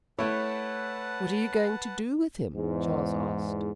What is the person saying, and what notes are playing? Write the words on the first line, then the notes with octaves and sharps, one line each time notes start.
"What are you going to do with him?" Charles asked.
A3 E4 B4 C#5 F#5 A5
E2 G#2